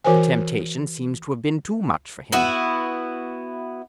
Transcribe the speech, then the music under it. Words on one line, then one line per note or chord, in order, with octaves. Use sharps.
The temptation seems to have been too much for him.
E3 F#4 A#4 C5 G#5
B3 E4 F#4